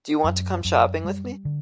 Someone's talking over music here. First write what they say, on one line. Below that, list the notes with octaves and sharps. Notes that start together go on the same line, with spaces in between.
Do you want to come shopping with me?
F#2
F#2
G3
D3